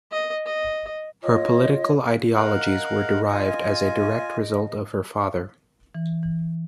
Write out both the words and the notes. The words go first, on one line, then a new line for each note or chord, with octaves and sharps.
Her political ideologies were derived as a direct result of her father.
D#5
D#5
F4 C#5 D#5
A#4 D#5 F5 F#5
F4 G#5
E3
E3